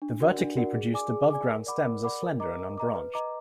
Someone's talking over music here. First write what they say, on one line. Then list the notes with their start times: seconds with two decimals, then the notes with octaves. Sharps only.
The vertically produced above-ground stems are slender and unbranched.
0.02 D4
0.20 F#4 A#4 D5 F#5
0.39 D4
0.56 F#4 A#4 D5 F#5
0.75 G#4
0.94 D5 G#5 D6
1.11 G#4
1.30 D5 G#5 D6
1.49 A#4
1.67 D5 F#5 B5 D6
1.85 A#4
2.04 D5 F#5 B5 D6
2.22 A#4
2.40 D#5 A#5 D6
2.59 A#4
2.78 D#5 A#5 D6
2.96 B4
3.14 D#5 A#5 D6